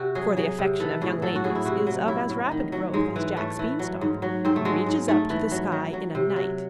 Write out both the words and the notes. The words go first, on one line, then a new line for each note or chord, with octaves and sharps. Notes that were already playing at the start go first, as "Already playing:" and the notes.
For the affection of young ladies is of as rapid growth as Jack's bean-stalk, and reaches up to the sky in a night.
Already playing: C3 F#4
F#3 G#4
F#3 G#4
C3
E3 A4
A2 G#4
F#3 A4
F#4
A2 G#4
E4
C3 F#4
F#3
A2 E4
A2
D#3
F#3
G#2 G#3
E3
A2 A3
E3
F#3
G#2
F#3
G#2 C4
A3
F#3 G#3
G#2
G#2 A3
E3
F#3
F#3
F#3
C3
F#3